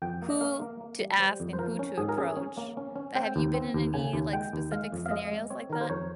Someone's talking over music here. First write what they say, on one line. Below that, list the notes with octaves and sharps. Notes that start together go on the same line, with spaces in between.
who to ask and who to approach. But have you been in any, like, specific scenarios like that?
F2 G5
A#3
D#5
A#3 F5
A#3
A#3
G3
G3 C5
F2
C5
F3 A#4
C#4
G#2 G#4
A#4
C#4 G#4
C#4
A#3
C#4
C#4
C4 G5
D#2
C4
D#2
C#3 G#5
D#2
G#3 G5
D#2
G#3 F5
F2
F5
G#3 D#5
G#3
C4 C#5
D#3 A#4
C5
F2 C#5